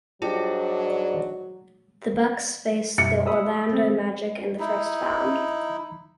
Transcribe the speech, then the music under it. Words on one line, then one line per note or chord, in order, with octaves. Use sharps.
The Bucks faced the Orlando Magic in the First Found.
G#2 F#3 G3 D4 F4
F#2 B2 G3 E4 C#7
B5 D#6 E6
C4
D#4 E4